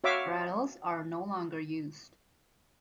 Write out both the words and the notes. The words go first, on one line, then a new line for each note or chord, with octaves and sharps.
Rattles are no longer used.
F#4 C#5 E5 F5 D6